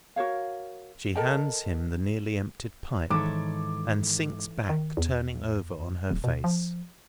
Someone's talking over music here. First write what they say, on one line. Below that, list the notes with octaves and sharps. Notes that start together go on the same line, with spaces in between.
She hands him the nearly-emptied pipe, and sinks back, turning over on her face.
F#4 A#4 C#5 F5
A4 A#4 D#5 G5
G#2 D#3 E3 A4 C#5 D6
D#3
E2
D1
B2
F3